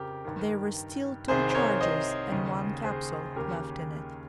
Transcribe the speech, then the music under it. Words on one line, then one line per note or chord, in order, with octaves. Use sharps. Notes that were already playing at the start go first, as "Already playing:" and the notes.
There were still two charges and one capsule left in it.
Already playing: F2 C#3 G4 A#4
G2 D#3
C2 C3 D#3 G#4 C5
C5
A#4 C#5
C5 D#5
D#2 C#3
G#4 C5
D#2 C#3 G4 A#4